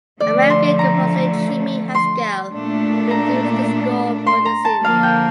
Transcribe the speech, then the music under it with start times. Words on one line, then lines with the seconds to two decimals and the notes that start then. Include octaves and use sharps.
American composer Jimmie Haskell produced the score for the series.
0.20 D3 F3 A3 D5
0.50 C6
0.79 A#5
1.95 C6
2.52 A#2 A3 D4
3.11 A#5
4.27 C6
4.45 A#5
4.65 A5
4.84 D3 F3 A#3 F5
5.03 G5